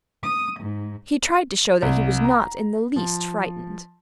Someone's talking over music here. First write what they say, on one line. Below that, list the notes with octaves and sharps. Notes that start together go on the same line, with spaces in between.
He tried to show that he was not in the least frightened.
D#6
G#2
C2
A#5
F3